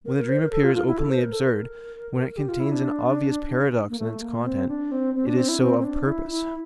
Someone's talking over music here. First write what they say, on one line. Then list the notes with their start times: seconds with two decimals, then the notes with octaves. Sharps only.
When the dream appears openly absurd, when it contains an obvious paradox in its content, it is so of purpose.
0.06 A#4
0.17 A#4
0.29 C5
0.41 A#4
0.52 A4
0.64 F4
0.75 F4
0.87 E4
0.98 A4
1.10 C5
1.21 A#4
1.33 A4
1.44 A#4
2.37 G4
2.49 F4
2.60 E4
2.72 D4
3.90 A#3
3.99 A3
4.22 A#3
4.45 C4
4.68 D4
4.91 C4
5.14 C4
5.26 D4
5.37 C4
5.48 E4
5.60 C4
5.79 C4
5.84 D4
6.07 E4
6.30 E4